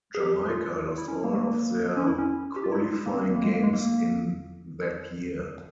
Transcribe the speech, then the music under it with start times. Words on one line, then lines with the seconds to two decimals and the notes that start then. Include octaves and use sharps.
Jamaica lost all of their qualifying games in that year.
0.15 G#4
0.20 G4
0.50 F4
0.98 E4
1.08 C#4
1.24 A#3
1.33 G#3
1.38 A#3
1.97 C#4
2.07 E4
2.18 C#4
2.56 G4
2.64 F4
2.72 E4
2.80 F4
3.06 A#3
3.14 C4
3.30 A#3
3.43 G#3
3.54 A#3
3.63 G#3
3.73 A#3